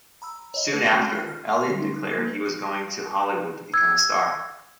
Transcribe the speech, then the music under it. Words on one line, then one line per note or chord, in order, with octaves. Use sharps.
Soon after, Elliott declared he was going to Hollywood to become a star.
A#5 B5 E6
C#5 D#5
A3 B4
G#3 A3 C4 C#4 F#4
F4 B5
F6
D3 F#3 G3 C#4
A3 D#4 C6
F#6
A#3 B4 G#6
E6 G#6